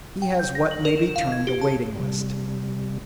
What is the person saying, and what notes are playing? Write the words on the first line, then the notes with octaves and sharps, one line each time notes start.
He has what may be termed a waiting-list.
G5
G6
A#6
F#7
A#4
E7
F5
G#6
G4
A5
C3 G3